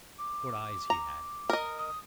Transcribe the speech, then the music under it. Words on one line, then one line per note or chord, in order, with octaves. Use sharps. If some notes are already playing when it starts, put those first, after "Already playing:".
What eyes he had!
D6
A#5
A#4 D#5
D#6